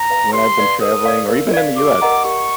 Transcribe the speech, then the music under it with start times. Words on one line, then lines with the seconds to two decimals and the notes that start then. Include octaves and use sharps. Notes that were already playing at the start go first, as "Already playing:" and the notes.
when I've been traveling or even in the U.S.,
Already playing: A#5
0.10 B4 D5 F5
0.34 G4 C6
0.58 B4 D5 F5
0.81 A#4 D#6
1.05 D5 F5
1.29 A#4
1.54 D5 F5
1.78 G4 D6
2.02 A#4 D#5 F#5 A#5
2.25 G4 C#6